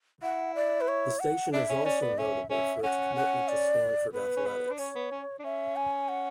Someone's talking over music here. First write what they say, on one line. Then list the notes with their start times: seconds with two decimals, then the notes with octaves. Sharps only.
The station is also notable for its commitment to Stanford athletics.
0.23 E4 F#5
0.55 D5
0.81 B4
0.88 C#5
1.20 F#5
1.53 D4 E5
1.69 C#4
1.85 C#4 D5
2.02 B3
2.18 C#4 E5
2.50 C#4 E5
2.83 C#4 F#5
3.16 F#5
3.48 D5
4.13 B3 B4
4.36 C#4
4.46 B3
4.71 D4
4.78 C#4 C#5
4.95 B3
5.11 C#4
5.39 D4
5.44 C#4 E5
5.76 G#5
6.09 F#5